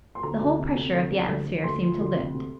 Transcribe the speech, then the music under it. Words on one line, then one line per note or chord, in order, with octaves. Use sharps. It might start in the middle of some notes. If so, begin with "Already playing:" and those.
The whole pressure of the atmosphere seemed to lift.
C6
D2 A#5
D2
C3
C3
D2
D2
D2
D2
D2 C6
F3
D2
C3
C3